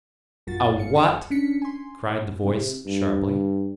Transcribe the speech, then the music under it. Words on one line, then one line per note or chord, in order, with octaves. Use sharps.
"A what?" cried the voice, sharply.
A#1 F#2 F#3 F4 F#4 A6
G1 G#4 F5 C#7
C#4 D4 B6 C#7
G#5 C6
C3
G2